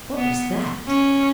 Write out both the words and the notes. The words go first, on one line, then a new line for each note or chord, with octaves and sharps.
What was that?
B3
C#4